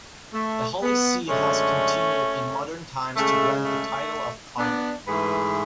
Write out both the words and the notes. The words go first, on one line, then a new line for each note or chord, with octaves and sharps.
The Holy See has continued in modern times to grant the title of Primate.
A3
B3
F#2 D3 G#3 A3 C#4
C#3 G#3 A3
A3
B3 D4
G#2 E3 A3 G#4 B4